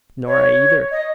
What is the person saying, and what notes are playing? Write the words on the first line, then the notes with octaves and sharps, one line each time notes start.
"Nor I either."
C#5
D#5